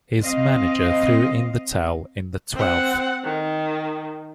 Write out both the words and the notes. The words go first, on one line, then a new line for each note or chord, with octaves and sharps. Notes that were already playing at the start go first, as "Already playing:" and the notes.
His manager threw in the towel in the twelfth.
C4 D#5 F5
C4 F#5
D#3